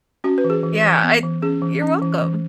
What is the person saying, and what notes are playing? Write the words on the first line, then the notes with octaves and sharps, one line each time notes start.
Yeah. I d you're welcome.
C#4 F#4
B4
E3
G#4
E3
E3
B3
E3
C#4 G#4
E3
C#4
E3
E3